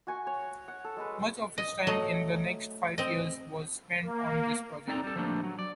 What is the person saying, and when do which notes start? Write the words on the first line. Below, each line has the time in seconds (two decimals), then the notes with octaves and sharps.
Much of his time in the next five years was spent on this project.
0.07 F#4 G#5 C#6
0.27 C#5
0.68 F#5
0.84 A4
0.97 G#3 A4 B4
1.58 D#5
1.87 F#3 A3 D#5
2.98 C4 D#5
4.02 A#3
4.88 C4 D#4 A4 D5 G5 A#5
5.04 G3 A4
5.16 F3 G3 A3 A#3 C#4 D4
5.43 F#3
5.59 D5